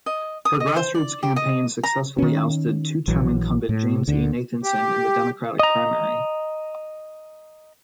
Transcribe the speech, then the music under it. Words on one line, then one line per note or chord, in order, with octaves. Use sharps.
Her grassroots campaign successfully ousted two-term incumbent James E. Nathanson in the Democratic primary.
D#5
D#6
D#5
C5
D5
G4
D#5
A#5
D#3 C#4
A#1 E3 F#3
A2
D2 D3
G4
D#5 A#5